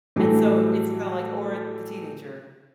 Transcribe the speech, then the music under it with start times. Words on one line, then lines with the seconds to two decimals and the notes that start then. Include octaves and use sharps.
And so, it's kinda, like or the teenager
0.16 A2 E3 F#3 G3 A3